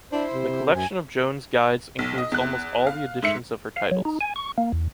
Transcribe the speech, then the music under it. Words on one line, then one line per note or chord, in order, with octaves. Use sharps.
The collection of Joanne's Guides includes almost all the editions of her titles.
D4 E4 C5
C3
F#2 G#5
B1
D#5
E2 F#6
F5
G#2 E5 C#7
F5
F#3
D#4
G#5
C#6
A#3
E2